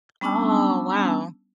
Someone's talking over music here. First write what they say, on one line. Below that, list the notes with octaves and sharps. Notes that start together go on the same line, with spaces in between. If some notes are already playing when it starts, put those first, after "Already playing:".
Oh, wow.
G3 B3 C#4 D4 A5 E6